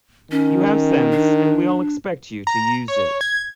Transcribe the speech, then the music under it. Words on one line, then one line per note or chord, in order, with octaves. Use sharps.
You have sense, and we all expect you to use it.
D#3 C#4
D4
A#5
C#5
G#6